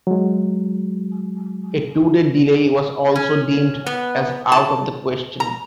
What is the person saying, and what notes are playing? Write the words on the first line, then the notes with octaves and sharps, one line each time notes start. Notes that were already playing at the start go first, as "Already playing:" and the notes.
A two-day delay was also deemed as out of the question.
F#3 G#3
C#4
B3
A5
A#5